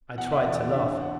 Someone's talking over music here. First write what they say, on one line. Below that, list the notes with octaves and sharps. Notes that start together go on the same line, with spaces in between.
I tried to laugh.
E2 F#5
E5
E3 D5
D5
D4 E5
F#5